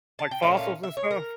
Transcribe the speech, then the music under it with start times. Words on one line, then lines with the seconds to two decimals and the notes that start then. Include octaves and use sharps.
Like fossils and stuff?
0.19 A5
0.31 G5
0.42 A#2 A3 C#4 F5
0.57 F5
0.83 E5
0.97 C#5
1.11 A#4